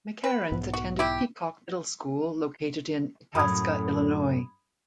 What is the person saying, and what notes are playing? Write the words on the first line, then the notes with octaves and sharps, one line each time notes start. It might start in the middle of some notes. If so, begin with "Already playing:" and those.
McCareins attended Peacock Middle School located in Itasca, Illinois.
B4
B1 G#2 B3
F#4
E4 G4
F#2 A2 B5 D#6 G#6